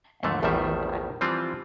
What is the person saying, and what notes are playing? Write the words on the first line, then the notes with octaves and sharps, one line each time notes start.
and then I've
D#2 G#2 D3 A3
A#1 E2 A2 D#3 G3 E5
E3 F3 G3 C4 F4